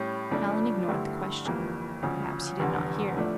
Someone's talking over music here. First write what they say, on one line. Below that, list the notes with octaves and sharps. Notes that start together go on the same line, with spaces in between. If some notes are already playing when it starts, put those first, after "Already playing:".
Alan ignored the question--perhaps he did not hear it.
Already playing: A2 G3 C#4 G4
F2 C#3 F3 A3 D4
G2 D3 A3 E4 G4
G1 F2 E3 G3 A#3
D2 C#3 F3
F1 E2 D3 G3
A2 F3 A3 D4